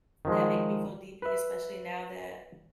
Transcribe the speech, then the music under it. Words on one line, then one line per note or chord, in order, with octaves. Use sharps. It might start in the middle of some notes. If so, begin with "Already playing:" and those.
that make me feel deeply, especially now that,
D#3 F3 G#3
B4 E5